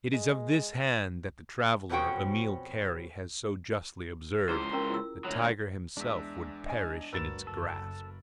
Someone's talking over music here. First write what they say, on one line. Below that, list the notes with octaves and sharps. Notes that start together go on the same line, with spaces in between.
It is of this hand that the traveler, Emile Carrey, has so justly observed: "The tiger himself would perish in its grasp."
G#3
F2 B2 C4 C#4 F#4 G5
C#2 E4 G#4 C5 A#5
C#4 A#4 A#5
E4 F4 E6
D2 F#3
E2 G#3 D4 E5
D#5 G#5
G1 D2 F#4 A#4 B4 E6 A6 E7
F#1 A4